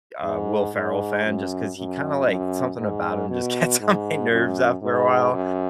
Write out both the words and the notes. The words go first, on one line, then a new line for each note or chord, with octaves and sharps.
uh, Will Ferrell fan just 'cause he kinda like something about him just gets on my nerves after a while,
G#2
G#2
F#2
F#2
F#2
G#2
B2
G#2
F#2
G#2
F#2